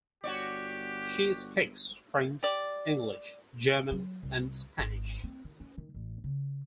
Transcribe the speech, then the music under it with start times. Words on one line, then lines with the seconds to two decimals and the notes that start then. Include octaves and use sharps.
She speaks French, English, German and Spanish.
0.24 G1 F#4 G4 C#5 D5
2.43 G4 D5
3.91 F#3
4.23 C2
4.79 G#1
5.24 C4
5.45 D#3
5.60 C#4
5.78 D#3
5.94 A1
6.24 C#3